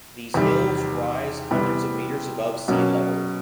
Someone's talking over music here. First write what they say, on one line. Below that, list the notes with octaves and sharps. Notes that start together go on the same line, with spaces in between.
These hills rise hundreds of meters above sea level.
E2 C3 D#3 G3
C3 E3 G3 B3
B2 F#3 A#3 C#4